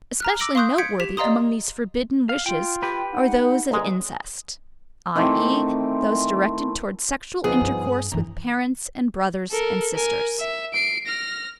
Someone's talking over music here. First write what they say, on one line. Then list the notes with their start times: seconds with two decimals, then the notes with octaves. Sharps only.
Especially noteworthy among these forbidden wishes are those of incest, i.e., those directed towards sexual intercourse with parents and brothers and sisters.
0.20 A#5 F6 F#6
0.39 D6 E6 A#6 D7 F#7 G7
0.55 F5 C6 C#6 D#6 F#6 G6
0.78 G6 G#6 B6 C#7 D7
1.00 G4 B6 F7
1.17 D5 D#5 F5 A#5 C6 D#6
2.29 F5
2.46 F4 G5
2.83 G4 B4 G5
3.13 D#4 F#5
3.71 G1 G#3 A#5
5.16 D#3 E3 A3 C4
7.44 D2 F3 B3 D#4 G#4
7.61 G2
8.12 G2 E3 A#5
9.51 A4 A#4
9.96 A#4 G#5
10.39 E5
10.73 C7 D7
11.06 F6 A#6